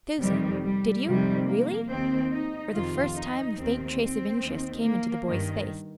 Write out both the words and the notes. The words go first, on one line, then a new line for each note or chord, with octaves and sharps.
"Susan, did you, really?" For the first time a faint trace of interest came into the boy's face.
F2 C3 D#3 G3
G3
F2 C3 D#3 G3
A#3
D#2 D#3 C4
D#4
F2 C3 D#3 F4
D#4
D#2 D#3 C4
C4
D#2 D#3
A#3
G2 D#3